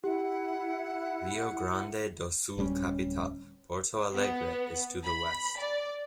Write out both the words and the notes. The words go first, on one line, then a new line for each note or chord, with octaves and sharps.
Rio Grande do Sul capital, Porto Alegre, is to the west.
E4 G4 F#5
D1 G3 B3 C#4
B3
B5
D5